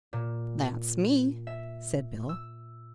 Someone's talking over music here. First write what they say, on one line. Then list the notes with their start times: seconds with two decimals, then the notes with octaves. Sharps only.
"That's me!" said Bill.
0.13 A#2
1.47 E5
2.29 E6